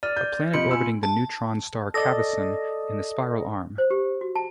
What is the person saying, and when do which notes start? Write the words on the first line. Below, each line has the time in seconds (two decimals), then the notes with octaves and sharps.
A planet orbiting the neutron star Cavesson in the Spiral arm.
0.03 D5 F6
0.16 G6
0.54 F2 C3 F4 D#5 B5 C#7
0.71 G#5 E6
1.03 A5
1.94 A4 D5 D#5 D#6 A#6
3.78 C5
3.91 G4
4.21 F#4
4.36 A5